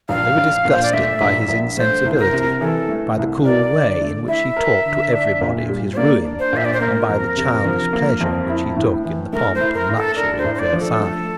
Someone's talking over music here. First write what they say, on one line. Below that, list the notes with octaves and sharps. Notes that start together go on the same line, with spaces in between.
They were disgusted by his insensibility, by the cool way in which he talked to every body of his ruin, and by the childish pleasure which he took in the pomp and luxury of Versailles.
A#1 F5
A#1
A#2
C5
D5
A3 E5
A#1
A#1
A3 C5
C2
A#4
C3
E3 A4
A3
C2
A#4 D5
D3
A3
E4 E5
A#4
D3
D4
A#2
G3
C5
A#3 D5
D4
C5
A#2 E5
D5
C5
A#3 A#4
F2
C3
F3
A#3
F2
E4
A2
E3
A3 A#4
C5
E4
A#4
A2
A4
D4 A#4
C5
A2
C5
D5
F3
A4
A3